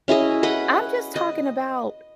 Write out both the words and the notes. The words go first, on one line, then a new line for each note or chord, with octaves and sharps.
I'm just talking about
C#4 E4 G#4 D#5
B4 D#5 F#5 B5
D#5